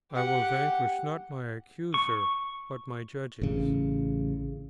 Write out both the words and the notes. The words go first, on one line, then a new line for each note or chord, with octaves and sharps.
I will vanquish, not my Accuser, but my judges.
G4 F#5
C#6
A1 C#3